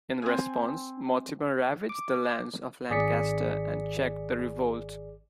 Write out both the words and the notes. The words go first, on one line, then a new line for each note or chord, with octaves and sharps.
In response, Mortimer ravaged the lands of Lancaster and checked the revolt.
C4 G#5
D6
G#1 G#4 D5 B6 C#7